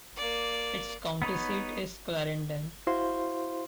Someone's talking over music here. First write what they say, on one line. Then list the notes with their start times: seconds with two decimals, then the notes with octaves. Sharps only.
Its county seat is Clarendon.
0.16 A#3 D5
1.22 B3 D#4 B4 C#5
2.87 E4 F#4 C5 F5 C6